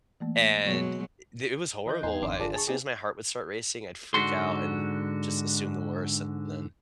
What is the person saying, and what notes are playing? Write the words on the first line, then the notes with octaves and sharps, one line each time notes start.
and the it was horrible, I as soon as my heart would start racing, I'd freak out, and just assume the worst, and then
E3 A3 A#3
B2 F#3 G#3
E3 D#5 F#6 G6
E2 B3 D#4 G#5 C6 G#6
G#1 F2 D#3 D4 C6 D6
G#1 D3 D4 F4 G#4
G#4 A5 C#6
B3 C4 D#4 G4 G#4
G#2 D3 F#4 C6